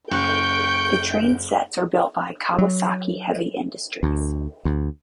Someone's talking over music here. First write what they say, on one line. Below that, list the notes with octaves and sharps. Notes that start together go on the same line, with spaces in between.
The train sets are built by Kawasaki Heavy Industries.
F#1 G5 C#6 F#6 G6 D7
F#3
D2
D2